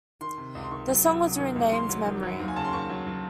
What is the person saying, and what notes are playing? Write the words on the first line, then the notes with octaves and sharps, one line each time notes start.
The song was renamed "Memory".
D#3 C6
C3
C#2
C6
D#3 C#6
F#3
F#3
C3
D#3
C#2
D#3 C6
F#3
D#3
F#3
D#2
G#5
C#3 A5
C6
D#2 C#6
F#3
F#3